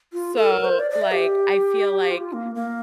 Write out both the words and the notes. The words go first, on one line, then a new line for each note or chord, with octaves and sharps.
so, like, I feel like
F4
A4
A#4
C5
D5
D5
E5
G4
F4
A#3
A#3